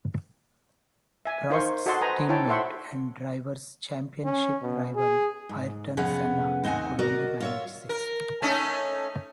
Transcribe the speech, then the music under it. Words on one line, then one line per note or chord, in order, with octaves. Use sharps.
Prost's teammate and Drivers' Championship rival, Ayrton Senna, could only manage sixth.
E5 G#5
D#4 A#4 C5 F5 C6 C#6
F#4 A4 D#5 F#5 A5 C6
B4 C5 G#5 A#5 B5 D#6
D#4 E4 C#5 G5 A5
A4 C5 E5 F#5 C6 C#6
C#4
B2
G#4
G#2
F2 C3 B3 C#4 G#4 F#5
D#2 C4 D#4 F#5 G#5
F#4 A#4 D5 D#5
F4 C#5 E5
A#4
A3 C#4 D#4